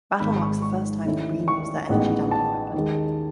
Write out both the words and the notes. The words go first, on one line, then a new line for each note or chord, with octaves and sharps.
The battle marks the first time the Breen use their energy-damping weapon.
G#1 G#2 D#3 G#3 B5
C#6
C#6
D#2 D#3 A3 C#4 E4
C#6
A1 A2 G#3 B3 D#4
A5
D#2 D#3 G#3